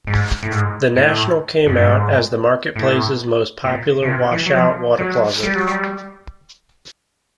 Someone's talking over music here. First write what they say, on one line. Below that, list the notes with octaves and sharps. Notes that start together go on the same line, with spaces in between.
The National came out as the market place's most popular wash-out water closet.
G#2
A2
G#2
A2
F#2
G2
G#2
A2
A#2
C#3
C3
E3
F#3
F3
F#3
G3
F#3
G3